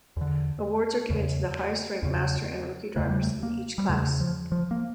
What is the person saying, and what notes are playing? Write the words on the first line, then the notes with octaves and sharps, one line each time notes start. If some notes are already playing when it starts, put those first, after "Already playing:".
Awards are given to the highest ranked Master and Rookie drivers in each class.
E2 D3
E2 C#3
E2 C#3
E2 C#3 A3
G3
A3
A#3
G3
E2 C#3 A3
F3
F3
A#3